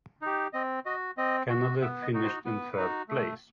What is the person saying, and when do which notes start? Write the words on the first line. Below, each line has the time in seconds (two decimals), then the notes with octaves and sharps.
Canada finished in third place.
0.22 D#4 G4
0.53 C4 D#5
0.86 F#4 D#5
1.17 C4 D#5
1.49 F#4
1.81 B3 E5
2.02 D#5
2.13 D#4 F#4
2.24 C5
2.45 B3 B4
2.77 D#4 F#4
3.09 A3